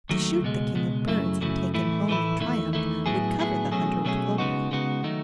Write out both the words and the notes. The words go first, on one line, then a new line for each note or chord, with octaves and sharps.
To shoot the king of birds and take him home in triumph would cover the hunter with glory.
D#2 D#3 F#3 A3
C#2 B2 G#3
C#2 B2 G#3
F#2 C#3 F#3 A3 E4
F#2 C#3 F#3 A3 E4
A2 E3 A3 E4
A2 E3 A3 E4
E2 D#3 A3 E4
E2 D#3 A3 E4
A2 F#3 B3 E4 G#4
A2 F#3 B3 E4 G#4
B2 F#3 A3 C#4 G#4
B2 F#3 A3 C#4 G#4
C#3 G#3 B3 D#4 F#4
C#3 G#3 B3 D#4 F#4
D#3 F#3 A3 D#4